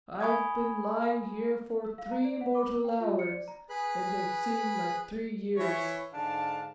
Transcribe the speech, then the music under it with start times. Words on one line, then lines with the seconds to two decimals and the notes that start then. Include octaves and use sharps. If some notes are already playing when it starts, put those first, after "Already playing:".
I've been lying here for three mortal hours and they've seemed like three years.
0.21 G#5 B5 C#6 D#6 G#6
1.85 E6
1.98 F5
2.11 A#5
2.24 D5
2.41 F#5
2.55 D6
2.69 A#4
2.85 G5
3.00 F4
3.19 C#7
3.31 D5
3.48 A#5
3.69 G#4 B4 B5 F#6
5.56 E3 C#5
6.12 G#2 D3 D4 F5 A5